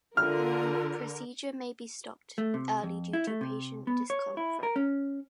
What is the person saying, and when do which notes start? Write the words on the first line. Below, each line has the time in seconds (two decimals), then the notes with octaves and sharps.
The procedure may be stopped early due to patient discomfort.
0.17 D3 F4 A#4 F6
2.38 A3
2.54 C3
2.83 F2
3.13 E4
3.27 A3
3.41 C3
3.87 B3
4.10 C#5
4.37 E4
4.63 A#4
4.76 C#4